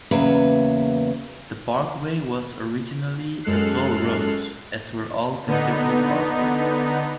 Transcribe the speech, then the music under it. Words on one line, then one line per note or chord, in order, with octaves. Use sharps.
The parkway was originally a toll road, as were all Kentucky parkways.
E2 C#3 F#3 A#3 B4 E5
F#2 G#3 A4 F6 F#6 C7
D3 B3 D#4